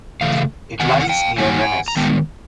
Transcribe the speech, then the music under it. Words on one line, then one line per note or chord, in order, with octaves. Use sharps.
It lies near Rennes.
C#3 E3 A3 F5
E2 C3 D#3 F#5 G#5
F#5
F5 G5
G2 D#3 F#3 A#3 D#4 F#5 G#5
A#5
D#3 G#3 B3 G5 A5